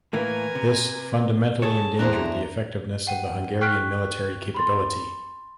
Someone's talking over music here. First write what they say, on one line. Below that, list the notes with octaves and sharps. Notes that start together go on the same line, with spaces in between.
This fundamentally endangered the effectiveness of the Hungarian military capability.
A2 E3 A#3 A#4 B4 G#5 A#5
C3
G#4 A4 C#5 A5
E2 D4 E4 C5 A#5 F#6
F#5 G5 D#7
G5 C#6 F6 F#6 B6 D7
B5 C6 A6